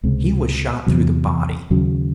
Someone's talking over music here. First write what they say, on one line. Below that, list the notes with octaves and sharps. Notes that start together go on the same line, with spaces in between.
He was shot through the body.
C#2 C3 G#3
E2 C3 F#3
D#2 C#3 F#3